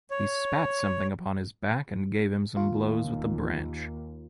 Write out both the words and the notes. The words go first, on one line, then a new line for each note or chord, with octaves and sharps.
He spat something upon his back and gave him some blows with the branch.
C#5
D#2 F4